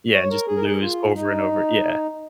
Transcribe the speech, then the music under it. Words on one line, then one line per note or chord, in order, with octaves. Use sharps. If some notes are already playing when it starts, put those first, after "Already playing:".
Yeah, and just to lose over and over, yeah.
C#5
A#4
G#4
A#4
G#4
F4
D#4